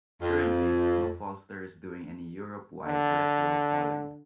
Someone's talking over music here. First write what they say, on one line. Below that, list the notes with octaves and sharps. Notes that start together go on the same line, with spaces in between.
Currently, no pollster is doing any Europe-wide electoral polling.
F2
D3